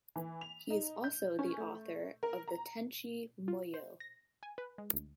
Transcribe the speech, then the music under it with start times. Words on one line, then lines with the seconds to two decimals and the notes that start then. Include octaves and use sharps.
He is also the author of the Tenchi Muyo!
0.16 E3
0.41 F7
0.70 D#4
1.04 G6
1.39 C#4
1.58 A3
2.23 A#4
2.48 A#5
3.48 F4
3.74 C5
4.00 A#6
4.43 G#5
4.58 B4
4.78 G#3
4.93 D2